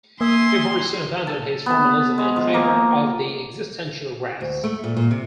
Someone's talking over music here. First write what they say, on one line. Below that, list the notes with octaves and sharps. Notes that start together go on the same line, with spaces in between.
He very soon abandoned this formalism in favor of the existential graphs.
A#3 E5 G#5 C6 D#6
A4
B3 A4
G#3
F3
A#3 A#4
D2
A3
A#2
A#2
C3